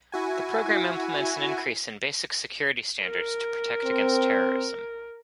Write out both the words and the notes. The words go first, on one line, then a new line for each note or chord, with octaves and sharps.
The program implements an increase in basic security standards to protect against terrorism.
E4 F#4 G#5
A#4
C4